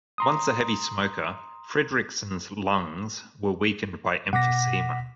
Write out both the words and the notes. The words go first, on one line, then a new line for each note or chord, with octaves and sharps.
Once a heavy smoker, Fredrikson's lungs were weakened by emphysema.
A#5 C6 D#6
B2 F#5 D6 A#6 B6